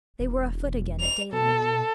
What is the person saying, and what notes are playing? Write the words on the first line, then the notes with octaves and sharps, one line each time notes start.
They were afoot again, at daylight.
E1
F7
B2 A4